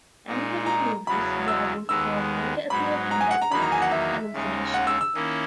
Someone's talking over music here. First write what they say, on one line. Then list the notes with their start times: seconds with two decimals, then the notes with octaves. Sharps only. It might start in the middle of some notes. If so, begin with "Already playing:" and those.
Anthony Lupus' werewolf form later appeared in Batman's hallucination.
0.27 A#2 G#3 D#4
0.66 A#5
1.07 E2 C#3 F#3 B5
1.48 E6
1.88 D#2 D#3 G#3 B3 E6
2.69 G#2 F#3 B3 D#4 B5
3.11 A#5
3.21 G#5
3.31 F#5
3.41 A#5
3.51 E2 D#3 F#3 A#3 D#4 B5
3.62 A#5
3.72 G#5
3.82 F#5
3.92 E5
4.32 D#2 C#3 G#3 D#4
4.74 F#5
4.87 E6
5.01 E6
5.14 D#3 A#3 C#4 E4